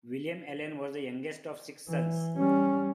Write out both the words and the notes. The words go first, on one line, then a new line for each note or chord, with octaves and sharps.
William Allen was the youngest of six sons.
E3
G3 C#4